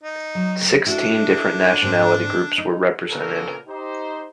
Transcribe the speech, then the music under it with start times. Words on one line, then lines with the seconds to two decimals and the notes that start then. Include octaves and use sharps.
Sixteen different nationality groups were represented.
0.04 D#4
0.35 F#3
0.87 D4 E4 F#4 A4
1.82 G#2 C4
2.58 D#4
3.09 A#2 C#3 B3 A4 A#4
3.68 D#4 G4 C5